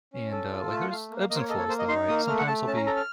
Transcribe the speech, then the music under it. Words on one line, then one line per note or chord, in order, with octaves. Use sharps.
and, uh like, there's ebbs and flows though, right? Sometimes I'll be
C#4
A4
F4
A3 A5
F#5
A3 F5
A#3
F5
A#3 D#5
C5
C#5
A4 D#5
C#5
A#3 C5
D#5
D#4 C6
A#3 D#6
A3 F6
F#5
A3 A5
C#4 A5
A#5
A4 A#5
F6